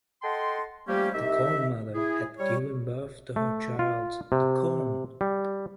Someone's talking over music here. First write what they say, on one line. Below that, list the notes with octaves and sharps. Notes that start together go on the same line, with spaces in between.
The corn-mother had given birth to her child, the corn.
A4 D#5 F#5 G5 A5 C6
F3 G3 A3 A#3 C#4 G4
C2 D#4 G4 D#5 E5
E4 G#4
G3 C#5
A3
F4
C3
G3